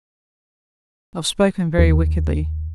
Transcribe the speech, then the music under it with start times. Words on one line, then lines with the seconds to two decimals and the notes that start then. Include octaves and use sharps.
I've spoken very wickedly.
1.78 D#2